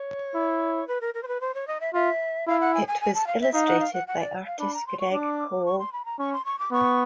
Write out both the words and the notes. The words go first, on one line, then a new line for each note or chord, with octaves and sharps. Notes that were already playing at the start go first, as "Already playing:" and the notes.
It was illustrated by artist Greg Call.
Already playing: C#5
E4
B4
A#4
A#4
C5
B4
C5
C#5
D#5
E5
F4 E5
E4 F5
F#5
G#5
G#5
G#5
A5
F5
E5
D#4 F5
F#5
F5
F#5
F#5
D5
F5
D4 B5
A#5
C6
C#6
D4 D6
C#6
C6
B5
A#5
C#4 C#6
C6
C#6
D6
B3 C#6